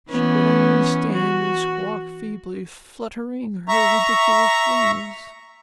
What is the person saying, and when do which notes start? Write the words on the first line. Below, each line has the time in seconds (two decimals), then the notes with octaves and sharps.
She could only stand and squawk feebly, fluttering her ridiculous wings.
0.11 E3 B3 C#4
1.13 F#4
3.68 E5 A#5 C#6